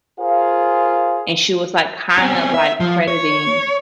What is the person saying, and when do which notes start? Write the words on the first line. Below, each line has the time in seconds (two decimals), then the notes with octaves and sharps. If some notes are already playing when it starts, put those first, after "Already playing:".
and she was like kind of like crediting,
0.19 F4 G#4 A#4 C5 F5
2.18 C4 C#4
2.54 E5
2.80 F3
3.08 C#5